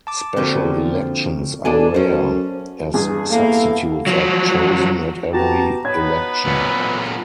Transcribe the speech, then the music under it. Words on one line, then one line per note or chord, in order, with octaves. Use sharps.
Special elections are rare, as substitutes are chosen at every election.
A5 D6
D3 F3 A#3 C4 F#4
B2 D4 A4 D5 G#5 A5
F#2 C#4 C5
E2 G2 G#4
A#3 B3 E4 A4 F5
F3 F#3
B3 F#4 G4 A5 A#5
B3 D#4 B4 C#5 G#6
A#2 F#3